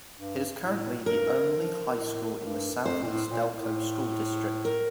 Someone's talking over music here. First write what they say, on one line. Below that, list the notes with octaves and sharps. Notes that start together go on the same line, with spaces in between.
It is currently the only high school in the Southeast Delco School District.
G2
A2
G2 A#4
F3
A2
G2
F2 C5
A#2
A2
A#2
A2
A#4